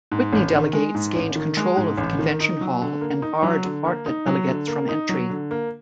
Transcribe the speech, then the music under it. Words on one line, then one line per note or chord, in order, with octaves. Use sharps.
Whitney delegates gained control of the convention hall and barred Bartlett delegates from entry.
G#2
A1
D#3
G#3
G#2
A1
D#3
G#3
G#2
A1
D#3
D#4
F#3
D3
A#3
D#4
F#3
D3
A#3
D#4
F#3
D3
A#3
D#4
F#3
D3
A#3